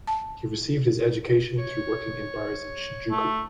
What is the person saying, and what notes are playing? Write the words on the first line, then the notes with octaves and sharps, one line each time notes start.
He received his education through working in bars in Shinjuku.
A5
C#5
A3